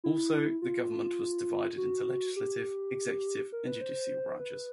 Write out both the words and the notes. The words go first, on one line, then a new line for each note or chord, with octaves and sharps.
Also, the government was divided into legislative, executive and judicial branches.
E4
F4
F#4
G4
A#4
B4
C5
B4